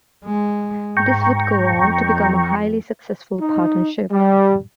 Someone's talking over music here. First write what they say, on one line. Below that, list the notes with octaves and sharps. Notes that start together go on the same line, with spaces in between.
This would go on to become a highly successful partnership.
G#3
G#2 G5 A#5 C#6
F2
D#4
G3